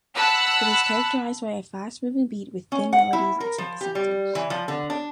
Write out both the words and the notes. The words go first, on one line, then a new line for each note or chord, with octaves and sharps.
It is characterized by a fast moving beat with thin melodies and synthesizers.
F#5 A5 B5 E6 F#6
C#4
F#5
E4
A#4
F3
G4
G3
E3
F3
D3
D4